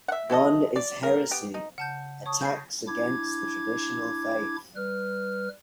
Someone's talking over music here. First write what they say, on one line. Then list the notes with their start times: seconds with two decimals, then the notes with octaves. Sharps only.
One is heresy, attacks against the traditional Faith.
0.08 E5 F#5
0.30 E4 F#4 A4 D#5
0.76 D5
1.03 A#4
1.31 B3 G4
1.54 D#4
1.78 C#3 F#5 A5 G6
2.26 C#5 A5 C#6 D#6
2.41 G6 C7
2.87 D4 E4 D6 G#6
4.76 G3 B4 F6